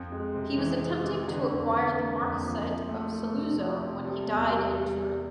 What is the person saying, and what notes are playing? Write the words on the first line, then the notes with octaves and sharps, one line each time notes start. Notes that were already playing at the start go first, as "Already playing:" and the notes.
He was attempting to acquire the marquisate of Saluzzo when he died in Turin.
Already playing: F2
G#3
C3
E3
G#3
E3
D3
F2
D3
A#3
F2
F3
F3
A3
A3
C3
F3
C3
G3
E2
G3
G3
G3